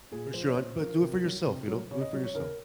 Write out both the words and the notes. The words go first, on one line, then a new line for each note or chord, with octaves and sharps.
For sure, hon, but do it for yourself, you know, do it for yourself.
A#2 G#4
F3 C5
C#5
A#2 C5
F3 A#4
C3
F#3
C3
F#3
C#3 C#5
D#5
F#3 C#5
C#5
C#3 A#4